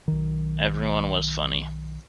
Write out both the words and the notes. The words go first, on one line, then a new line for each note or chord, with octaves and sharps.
Everyone was funny.
B1 D#3